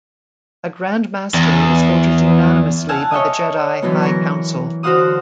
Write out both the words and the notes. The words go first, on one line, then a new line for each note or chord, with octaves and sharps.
A Grand Master is voted unanimously by the Jedi High Council.
E2
F5 F#5 G#5 A5 E6 F6
C#5 D#5 E5 D#6
D3 E3 F#3 B3
A#4 C#6
D3 F#4 C5 F5 F#5 D#6